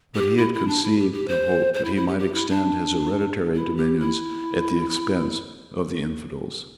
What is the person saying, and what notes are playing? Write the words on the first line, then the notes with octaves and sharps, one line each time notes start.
But he had conceived the hope that he might extend his hereditary dominions at the expense of the Infidels.
G4
E4
E4
D4
E4
G4
G4
C5
C5
E4
E4
G4
G4
E4
D4
E4
G4
E4